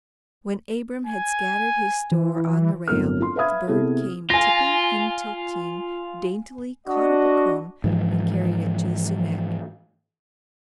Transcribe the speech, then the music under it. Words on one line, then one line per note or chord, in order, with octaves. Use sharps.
When Abram had scattered his store on the rail, the bird came tipping and tilting, daintily caught up a crumb, and carried it to the sumac.
G#5
E3
G1 A2 F#3 C4 A#4 F6
F4 C6
B4 E5 F5 B5 D#6 G#6
C3 B3 E4 G#4 A4
F4 G#5 A#6
D4 F#4 D#5
G#2 E3 F3